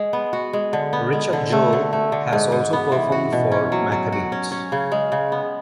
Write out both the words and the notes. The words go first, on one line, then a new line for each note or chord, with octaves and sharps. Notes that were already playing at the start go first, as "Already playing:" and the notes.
Richard Joel has also performed for the Maccabeats.
Already playing: G#3
B3
F#4
G#3
D3
B3
G#3
D3
A3
D3
A3
D3
G#2
G#2
B3
E3
F#4
B2
C#4
F#3
F#3
F#4
C#4
C#4
C#3
G#3
C#3
B3